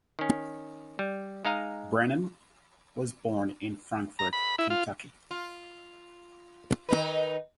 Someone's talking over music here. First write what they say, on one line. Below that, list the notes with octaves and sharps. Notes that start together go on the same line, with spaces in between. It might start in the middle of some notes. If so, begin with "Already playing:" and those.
Brenham was born in Frankfort, Kentucky.
D#3 C#4
G3
G#3 D#4 F5 A#5
A#5
B5
E4
F4
F4
D#3 D#4 B4